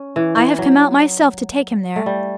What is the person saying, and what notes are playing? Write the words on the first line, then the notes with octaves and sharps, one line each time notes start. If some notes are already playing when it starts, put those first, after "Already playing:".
I have come out myself to take him there.
Already playing: C#4
E3
E3
F#3
A3
G3